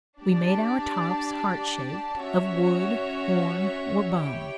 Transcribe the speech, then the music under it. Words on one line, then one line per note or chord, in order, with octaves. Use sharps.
We made our tops heart-shaped of wood, horn or bone.
D4 G4 D5 A5
C#4 F#4 C#5 E5
E4 G4 C#5 G5